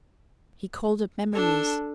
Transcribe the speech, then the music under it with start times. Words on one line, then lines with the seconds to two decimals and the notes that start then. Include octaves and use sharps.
He called up memories.
1.33 D4 A4